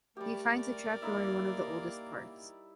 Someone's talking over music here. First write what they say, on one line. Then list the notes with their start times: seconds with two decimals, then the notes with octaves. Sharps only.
He finds a trapdoor in one of the oldest parts.
0.17 G3 A3 G4 A#4 D5
1.02 A#3 D#4 E4 E5